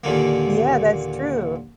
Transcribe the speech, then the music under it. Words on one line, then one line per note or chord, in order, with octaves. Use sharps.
Yeah, that's true.
D#2 A#2 D3 A#3